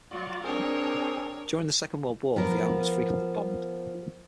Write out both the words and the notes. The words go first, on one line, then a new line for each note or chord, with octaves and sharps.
During the Second World War the island was frequently bombed.
F#3 F4 F#4 D5
C4 D4 G#4 A#4 C#5
F3 B3 A#4